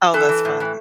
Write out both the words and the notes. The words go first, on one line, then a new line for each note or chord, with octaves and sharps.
Oh, that's funny.
E3 A4
E3
A2
E3